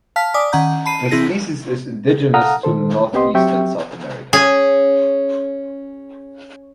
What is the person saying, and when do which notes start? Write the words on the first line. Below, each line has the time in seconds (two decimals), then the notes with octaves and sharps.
The species is indigenous to northeastern South America.
0.16 F5 A5 F6 B6
0.34 D5 G#5 D6 D#6 B6
0.52 D#3 C#4 F#5 A#5 G6
0.85 A5 B5 C7 D#7
1.11 E3 C4 E4 G#4 A#6
2.34 A4 F5 F#5 A#5 D#6 F6
2.63 A#2 D#3 A4 C5
3.13 C2 B3 C4 G4 D#5 C6
3.34 F#3 C4 G4 E5 G5 C#6
4.33 C#4 G#4